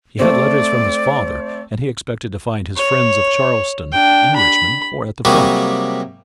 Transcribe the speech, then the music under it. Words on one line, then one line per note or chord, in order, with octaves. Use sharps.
He had letters from his father and he expected to find his friends of Charleston in Richmond or at the front.
A3 C4 D5
C#5
D4 G5
B5
C3 F#3 G3 A#3 F#4 G#4